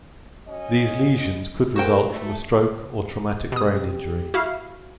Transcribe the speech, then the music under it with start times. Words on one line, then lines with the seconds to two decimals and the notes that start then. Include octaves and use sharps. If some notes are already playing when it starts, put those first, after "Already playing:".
These lesions could result from a stroke or traumatic brain injury.
0.48 C#4 F#4 D#5
1.76 E4 F#4 A4 A#4 C5 G5
2.11 A3
3.52 B2 G4 D#6
4.34 E4 F#4 F5